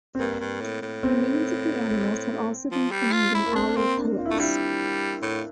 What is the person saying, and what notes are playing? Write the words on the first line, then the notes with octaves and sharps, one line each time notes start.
Remains of the animals have also been found in owl pellets.
C4
G2 A#3
G2
A2
A2
C4
F3
G3
F4
E4
A#3
C4 D4
A#3 C4
D4
F4
E4
A3
D4
G3 E4
A2